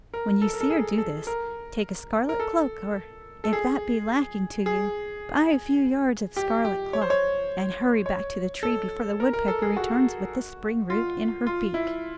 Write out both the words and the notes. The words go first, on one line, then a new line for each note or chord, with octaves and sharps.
When you see her do this, take a scarlet cloak, or if that be lacking to you, buy a few yards of scarlet cloth, and hurry back to the tree before the woodpecker returns with the spring-root in her beak.
A#4
A4
A#4
A4
G#4
A4
A#4
A#4
A4
A4
G#4
G#4
G4
G4
C#5
C5
C#5
C#5
A4
A#4
A#4
A4
G#4
F#4
F4
F4
E4